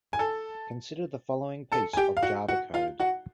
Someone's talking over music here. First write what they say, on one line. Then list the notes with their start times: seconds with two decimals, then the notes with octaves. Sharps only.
Consider the following piece of Java code.
0.13 G#5
0.19 A4 A5
1.72 A4 A5
1.93 G#5
1.97 G4 G5
2.17 F5
2.23 F#4 F#5
2.48 F#4 F#5
2.74 F4 F5
3.00 F#4 F#5